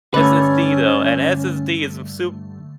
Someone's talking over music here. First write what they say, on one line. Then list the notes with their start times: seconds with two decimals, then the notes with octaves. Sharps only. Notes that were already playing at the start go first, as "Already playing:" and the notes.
SSD, though, an SSD is a soup
0.14 G2 D3 A3 C#4 B4